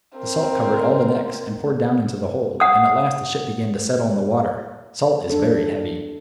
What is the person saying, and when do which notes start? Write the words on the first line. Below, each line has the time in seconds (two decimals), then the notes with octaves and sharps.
The salt covered all the decks and poured down into the hold, and at last the ship began to settle in the water; salt is very heavy.
0.18 C4 A#4
2.60 F#5 D#6
5.30 D4 A4